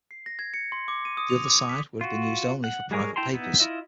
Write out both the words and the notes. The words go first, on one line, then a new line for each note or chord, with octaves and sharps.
The other side would have been used only for private papers.
C7
A#6
G#6
C#7
C6
D6
D#7
D#6
F7
D6
B6
F4 F#4
F#5
G3 G#3 G#4 A#4 C#5
E4 G5 A5 A#5 C6
B3 D#4 E4
E4 F4 D#5 E5